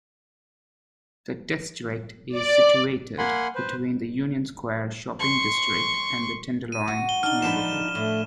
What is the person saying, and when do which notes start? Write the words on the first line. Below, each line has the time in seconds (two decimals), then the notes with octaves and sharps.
The district is situated between the Union Square shopping district and the Tenderloin neighborhood.
2.36 D5
3.18 A#3 F#5 G#5 B5 C6
3.55 B4 C5
5.19 C6 C#6
6.72 D#7
6.87 F#4
7.09 G7
7.23 D4 D#4 F6 G7
7.42 F3 D4 B4 E7
7.95 A2 A3